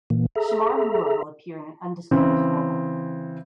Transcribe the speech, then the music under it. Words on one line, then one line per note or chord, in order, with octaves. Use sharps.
Shemar Moore will appear in an undisclosed role.
A#2 E3 A#3
G#4 A4 E5 A#5
C#3 E3 C4